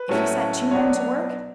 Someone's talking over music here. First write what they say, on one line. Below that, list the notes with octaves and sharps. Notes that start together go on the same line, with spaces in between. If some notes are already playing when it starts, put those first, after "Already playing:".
"If you set two men to work?"
Already playing: B4
A2 F#3 A3 C#4 E4
B2 F#3 B3 D4 C#5